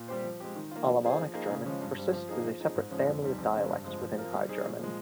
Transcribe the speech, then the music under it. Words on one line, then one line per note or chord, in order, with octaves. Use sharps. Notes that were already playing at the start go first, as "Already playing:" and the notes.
Alemannic German persists as a separate family of dialects within High German.
Already playing: A#2
G3 C4 G4 C5
F3
G#3 C4 G4
D#3
A#3 F4
F3
C4 F4 G#4 C5
F3
A#3 D#4 G#4 C5
C#3
F3 G#3 C#4
G2
G3 C4
F3
A#3 D#4 G#4
F3
C4 D#4 G#4
G#2
F3 G#3 C#4
F2
C3 D#3 G3 C4
F2
C#3 G#3 C4
G2
F3 G#3 C4
F3
C4 F4 A#4
G3
C4 D#4 G#4
A#2
F3 G#3